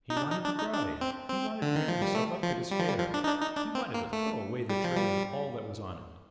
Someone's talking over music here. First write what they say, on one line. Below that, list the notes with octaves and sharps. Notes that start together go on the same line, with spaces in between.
He wanted to cry, he wanted to give himself up to despair, he wanted to throw away the tray and all that was on it.
D#4
D4
D#4
D4
D#4
D4
C4
C4
D3
D#3
F3
G3
A3
F3
G3
F3
G3
F3
D4
D#4
D4
D#4
D4
C4
A#3
A3
G3
F3
G3